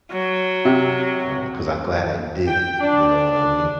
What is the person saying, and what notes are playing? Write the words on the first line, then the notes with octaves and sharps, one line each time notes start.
um, 'cause I'm glad I did it, you know what I mean?
F#3
C3
G5
D4